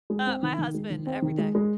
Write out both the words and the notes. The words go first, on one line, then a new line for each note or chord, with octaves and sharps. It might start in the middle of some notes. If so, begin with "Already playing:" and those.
Uh, my husband, every day,
G#3
C4
D#3
D#3
G#3
D#3
C4
D#3
G#3
G#3